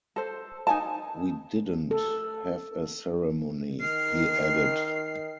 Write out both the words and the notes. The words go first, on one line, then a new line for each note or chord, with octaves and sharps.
"We didn't have a ceremony," he added.
A4 C5
D#4 G#5 A5
A4
D#3 F6 C7